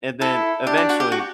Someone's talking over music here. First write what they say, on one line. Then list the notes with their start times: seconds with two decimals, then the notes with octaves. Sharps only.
and then, eventually,
0.21 E4 A4
0.66 D4 G4
0.78 G4
0.89 F#4
1.00 G4
1.12 F#4